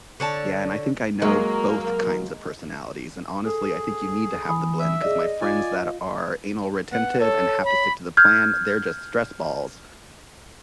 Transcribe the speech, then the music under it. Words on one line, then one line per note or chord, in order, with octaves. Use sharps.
Yeah, and I think I know both kinds of personalities. And honestly, I think you need to have the blend, 'cause my friends that are anal-retentive and have to stick to the plan, they're just stress balls.
D3 C#5 A5
F#3 G#3 A#3 A#4
G#4 A4
E3 G#5 B5 D#6
E5
G#4 D5 D#5
F4 D5 F5 G#5
B3 F#5
A4 C#5
B5
F6 G6 G#6